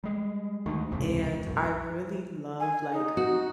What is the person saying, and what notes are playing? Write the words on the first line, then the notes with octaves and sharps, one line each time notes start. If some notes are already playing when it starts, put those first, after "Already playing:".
and I really love, like,
G3 G#3
D2 D#3
E1 C#2 G#2 C3
B1 F#2
G#5
D#4
F#4